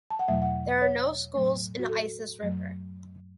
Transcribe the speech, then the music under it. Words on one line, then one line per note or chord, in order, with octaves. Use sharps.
There are no schools in Isis River.
A5
F#5
E2 B2 F#3 A3 E5
F#5
F#5
C#5
A2 F#3 A3
F#4
A4
F#2 F#3 A3